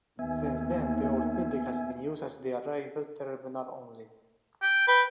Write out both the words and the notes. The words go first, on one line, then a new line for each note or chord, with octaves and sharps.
Since then, the old building has been used as the arrival terminal only.
D#2 B3 E5 G#5
G5
B4 G5